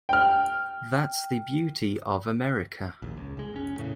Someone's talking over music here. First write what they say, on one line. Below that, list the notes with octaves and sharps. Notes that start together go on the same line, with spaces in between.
That's the beauty of America.
G5 F6
A#1 D#2
C#2
C2 G#3
F1 C#4
E2 A2 C#3 E3